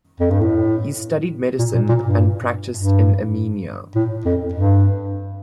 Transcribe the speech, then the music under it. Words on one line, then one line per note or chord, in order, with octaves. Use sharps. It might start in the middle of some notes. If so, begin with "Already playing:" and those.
He studied medicine, and practiced in Amenia.
F2
G2
A2
A#2
A#2
A#2
G2
G2
A2
F2
G2